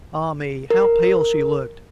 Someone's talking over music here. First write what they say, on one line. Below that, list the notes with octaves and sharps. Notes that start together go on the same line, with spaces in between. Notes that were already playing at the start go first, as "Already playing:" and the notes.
Ah me, how pale she looked!
A#4